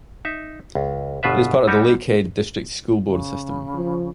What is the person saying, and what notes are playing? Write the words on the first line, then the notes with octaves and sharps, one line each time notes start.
It is part of the Lakehead District School Board system.
D#4 E5
C#2
G1 B2 F4 B4 E5
G3 D#4 F#4 G4 G#5
C#3
F3